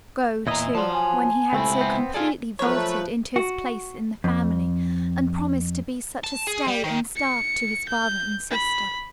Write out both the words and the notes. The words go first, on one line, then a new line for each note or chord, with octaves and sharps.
Go, too, when he had so completely vaulted into his place in the family, and promised to be such a stay and staff to his father and sister.
E2 A#2 E4 D#5 A#5
F3 F#3 D5 A5 C6
G#5
C#2 C3 A3 C4 E4
B3 C4
F4 G#4 A4 D5 G#5
F3 F#3 A3 A#4 B4 C#5
F#4
F2
A5
G#4
G3
D#3
C#7
G6
B5